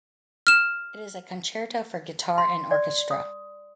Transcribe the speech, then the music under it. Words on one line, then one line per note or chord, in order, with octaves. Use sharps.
It is a "concerto" for guitar and orchestra.
F6 E7
C6
D5
D#6